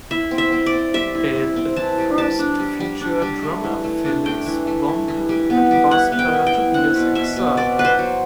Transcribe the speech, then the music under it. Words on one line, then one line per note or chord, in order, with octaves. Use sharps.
It is the first to feature drummer Felix Bohnke and bass player Tobias Exxel.
E4 E5
C4
E5
C4
D5
C4
G3 E5
E4
C4
C4
E3 A5
G3
G3 A5
D4
G3
G3
D4
G3
A3
E3
A3
D4
A3 G5
E3
A3
E3
E3
G3
B3
G3
E4 F#5
B3
G5
E4
G5
E4
C4 F#5
B2
B2 E5
B2
C4 D5
F#3 B4
C5
F#3